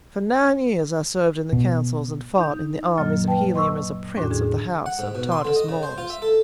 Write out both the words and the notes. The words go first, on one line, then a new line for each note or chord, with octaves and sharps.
For nine years I served in the councils and fought in the armies of Helium as a prince of the house of Tardos Mors.
B2
D#4 G6
F#2 A#2 F#3 A#3 D#5 F6
B4 G5 A5
D#5 C6 C#6 E6
E2 A2 C#4 D4 F#4
D3 G#4
F#5
G#2
B2
C6
D3
D#5
C#3
C5
F4
E5
A4